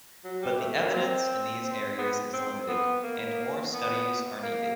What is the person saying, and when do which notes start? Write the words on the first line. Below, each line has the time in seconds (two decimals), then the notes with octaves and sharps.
But the evidence in these areas is limited and more studies are needed.
0.24 F#3
0.42 G3
0.59 A3
0.77 A#3
0.94 C4
1.64 C4
1.99 B3
2.33 C4
2.68 B3
3.03 A#3
3.73 B3
4.43 A#3